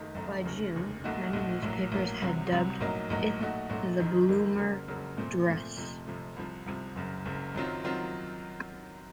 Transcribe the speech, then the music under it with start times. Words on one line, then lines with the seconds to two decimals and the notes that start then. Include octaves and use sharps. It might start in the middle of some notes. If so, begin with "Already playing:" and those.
By June many newspapers had dubbed it the "Bloomer dress".
Already playing: F#1 F#2 D#3 A3 D#4
0.14 F#1 F#2 D#3 A3 D#4
0.44 F1 D#2 C#3
0.74 F1 D#2 C#3
1.04 A#1 A#2 A3 D#4 F#4
1.33 A#1 A#2 A3 D#4 F#4
1.63 A#1 A2 F#3 A#3
1.92 A#1 A2 F#3 A#3
2.22 C2 C3 F#3
2.52 C2 C3 F#3
2.81 A#1 A2 F#3 A#3 D#4
3.10 A#1 A2 F#3 A#3 D#4
3.40 A#2 F#3 A3 D#4 F#4
3.69 A#2 F#3 A3 D#4 F#4
4.00 F#1 F2 D#3 A#3
4.29 F#1 F2 D#3 A#3
4.58 F2 C#3 F#3 A#3
4.88 F2 C#3 F#3 A#3
5.17 A#2 F3 A3 C4
5.48 A#2 F3 A3 C4
5.77 F2 C3 F3 A3
6.07 F2 C3 F3 A3
6.36 C2 C3 F3
6.66 C2 C3 F3
6.96 F#1 F#2 C#3
7.25 F#1 F#2 C#3
7.55 F#2 D#3 F#3 C4 F4
7.84 D#3 F#3 C4 F4